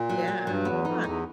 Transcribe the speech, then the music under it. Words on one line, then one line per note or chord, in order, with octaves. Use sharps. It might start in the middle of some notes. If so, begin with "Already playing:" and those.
Yeah. Huh.
Already playing: A#2
F#3
F#3
F#2
G2 F#3
E2 B3
F2 D#4
E2 D#4